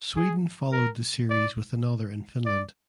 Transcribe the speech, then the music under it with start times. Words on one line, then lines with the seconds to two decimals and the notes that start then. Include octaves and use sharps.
Sweden followed the series with another in Finland.
0.16 G#4
0.72 A#4
1.30 D5
2.45 D5